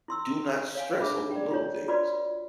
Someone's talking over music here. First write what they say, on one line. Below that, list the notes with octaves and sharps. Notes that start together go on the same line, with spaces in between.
Do not stress over little things,
E4 C6 E6
C#5 F5 G#5
D4 G#4 E5 B5
D5 G5
F4 C#5
F4 F#4 B4 D5 B5